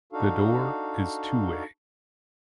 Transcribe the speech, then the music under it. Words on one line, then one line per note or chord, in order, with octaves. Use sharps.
The door is two-way.
D4 D#4 F#4 A4 F5